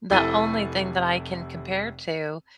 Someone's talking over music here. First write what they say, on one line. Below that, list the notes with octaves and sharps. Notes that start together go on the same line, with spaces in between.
the only thing that I can compare to
F1 C3 E4 A4 A6 D#7